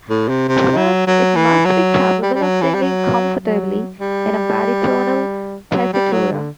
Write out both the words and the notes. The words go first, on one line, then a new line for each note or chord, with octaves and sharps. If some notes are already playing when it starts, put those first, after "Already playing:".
First, it must be capable of singing comfortably in a baritonal tessitura.
A2
C3
C3
F#3
F#3
E3
F#3
G3
G3
F#3
E3
G3
F#3
F#3
G3
F#3
G3
F#3
D3